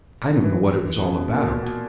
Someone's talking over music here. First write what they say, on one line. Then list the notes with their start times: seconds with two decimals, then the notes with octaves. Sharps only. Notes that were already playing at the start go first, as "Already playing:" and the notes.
I don't know what it was all about.
0.44 E3
0.99 B2
1.03 C#3
1.17 B2
1.33 A#2
1.41 B2
1.50 A#2
1.63 B2